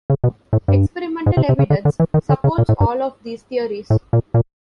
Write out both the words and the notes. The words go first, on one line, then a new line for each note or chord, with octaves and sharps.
Experimental evidence supports all of these theories.
C#3
B2
A2
G2
G#2
C3
C3
C#3
D3
D3
E3
D#3
D3
C#3
A#2
A2
G2
A2
A#2
A#2